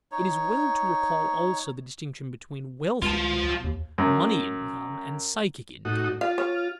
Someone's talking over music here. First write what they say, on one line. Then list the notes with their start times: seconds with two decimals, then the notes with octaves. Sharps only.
It is well to recall also the distinction between wealth income, money income, and psychic income.
0.12 D#4 C#5
3.02 C#2 F4 A5
3.64 D#2
3.98 F#2
5.85 A2 D#4 F#4
6.21 F4 F5
6.38 C#5